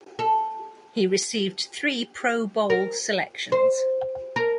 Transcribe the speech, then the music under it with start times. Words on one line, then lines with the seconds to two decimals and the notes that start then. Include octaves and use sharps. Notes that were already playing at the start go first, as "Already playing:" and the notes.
He received three Pro Bowl selections.
0.19 A4
2.70 A#4
3.52 C5
4.36 A#4